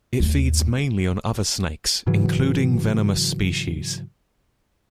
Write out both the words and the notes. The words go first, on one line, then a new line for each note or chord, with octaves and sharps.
It feeds mainly on other snakes, including venomous species.
D#2 A3
G#2 C#3 E3 F#3